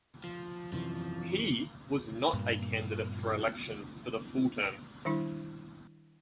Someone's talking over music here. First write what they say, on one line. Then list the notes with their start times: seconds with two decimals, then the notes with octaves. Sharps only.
He was not a candidate for election for the full term.
0.24 F3
0.72 F#2 C3 E3 F3
2.33 G2 A#2
5.05 D#3 G3 D4 E4